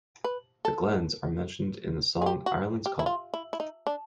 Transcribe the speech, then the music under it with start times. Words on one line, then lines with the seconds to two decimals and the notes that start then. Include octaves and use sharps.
The Glens are mentioned in the song "Ireland's Call".
0.24 B4
0.65 A4
2.22 G#4
2.26 G4
2.46 F#4
2.86 G4
2.99 E4
3.06 F4
3.34 E4
3.53 E4
3.60 D#4
3.87 D4